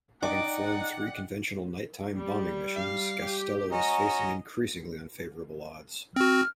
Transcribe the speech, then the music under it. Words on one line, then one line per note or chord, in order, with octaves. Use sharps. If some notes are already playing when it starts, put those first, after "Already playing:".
Having flown three conventional night-time bombing missions, Gastello was facing increasingly unfavorable odds.
D#4 D5 D#5 F#5 G5 D6
G3
F5
G4
C#4 F#4 D#5 A#5
C4 F#4 F6